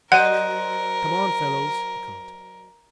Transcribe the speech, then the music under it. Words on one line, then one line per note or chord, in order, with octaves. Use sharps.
"Come on, fellows!" he called.
F#3 A#4 C5 D#5 F#5 F#6 D#7